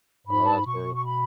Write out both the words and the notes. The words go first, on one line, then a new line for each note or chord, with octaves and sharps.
Oh, that's brutal.
G#2 B5
A5
B5
B2 C#6
C#6
B5